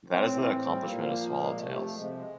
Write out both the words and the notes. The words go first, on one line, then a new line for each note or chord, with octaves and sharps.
That is the accomplishment of "Swallow Tales".
A2 C4
E3
A2
G3
A#2 A#3
F3
A#2
G#3
G#3
C3 A3
F3
C3 G#3
G#3